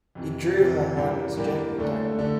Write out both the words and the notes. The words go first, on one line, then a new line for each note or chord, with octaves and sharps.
He drew her hands gently down.
F2 C3 E3
F2 C3 E3
G2 E3 A#3 D4 G4
G2 E3 A#3 D4 G4
D2 D3 A3 D4 A4
D3 A3 D4 A4